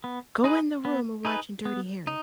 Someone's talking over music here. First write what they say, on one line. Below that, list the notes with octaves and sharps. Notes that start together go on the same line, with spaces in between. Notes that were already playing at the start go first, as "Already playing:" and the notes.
"Go in the room, we're watching Dirty Harry."
B3
D#4 G#4 B4
B3
D#4 G#4 B4
B3
D#4